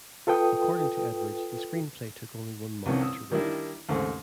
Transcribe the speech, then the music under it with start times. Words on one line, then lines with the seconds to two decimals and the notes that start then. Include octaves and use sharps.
According to Edwards, the screenplay took only one month to write.
0.27 F4 A4 B4 G5 D#6
2.86 C2 G2 C3 D#3 A#3 C#4
3.01 D#6 E6
3.31 D#3 G3 A#3 D4 E4
3.89 D#2 G#2 C#3 A3 C4